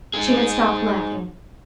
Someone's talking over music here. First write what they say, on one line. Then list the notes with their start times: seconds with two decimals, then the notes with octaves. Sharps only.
She had stopped laughing.
0.14 D#4 G#4